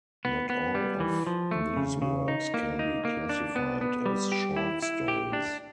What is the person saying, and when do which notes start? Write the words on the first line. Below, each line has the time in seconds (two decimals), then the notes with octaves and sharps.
Not all of these works can be classified as short stories.
0.25 B3
0.50 B3
0.75 G3
1.00 E3
1.27 F3
1.51 A3
1.77 C#3
2.02 C#3
2.28 D#4
2.54 A#3
2.79 D#4
3.05 A#3
3.29 D4
3.56 B3
3.81 B3
4.06 G3
4.32 G4
4.56 E4
4.82 E4
5.08 G4
5.33 D4